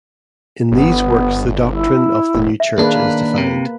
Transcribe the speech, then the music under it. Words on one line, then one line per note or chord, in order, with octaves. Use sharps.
In these works the doctrine of The New Church is defined.
G1 B3
E4
E1
E5
D#2 A#3 D4 G#4 B4 D#6
C3